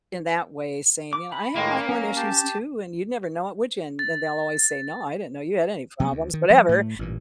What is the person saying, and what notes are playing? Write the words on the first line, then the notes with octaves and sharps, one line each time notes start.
in that way, saying, "You know, I have my own issues, too, and you'd never know it, would ya?" And and they'll always say, "No, I didn't know you had any problems, whatever."
D6
B5
A2 D#3 G#3 A#3
F#3 C#4
G4 A5
A6
C3 F#3 G3 B3
D2
D#3
F3 G3
A2 A3
A1 G2 A#2